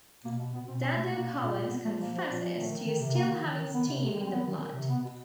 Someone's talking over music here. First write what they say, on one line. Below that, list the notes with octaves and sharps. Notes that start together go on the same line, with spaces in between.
Dando-Collins confesses to still having steam in the blood.
B2 A#3
B2
B2 B3
B2 C4
B2 C#4
B2 A3
B2 A#3
B2
A#2
A#2
A#2 B3
F3 A3
F3 A#3
F3
A#2
F3
D#3 A3
D#3
D#3
C3
D#3 A#3
D#3
D#3
D#3
D#3 B3
C3
C3
D#3
C4
D#3 B3
D#3
D#3
C3
B2 B3
B2